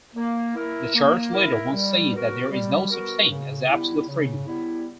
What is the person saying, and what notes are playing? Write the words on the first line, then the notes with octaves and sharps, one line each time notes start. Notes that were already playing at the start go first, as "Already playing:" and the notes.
The Church leader once said that there is no such thing as absolute freedom.
A#3
E4 A#4
A#3
E4 A#4
G3
B3 F#4 A#4
G3
B3 F#4 A#4
C#3
G3 B3 E4
C#3
G3 B3 E4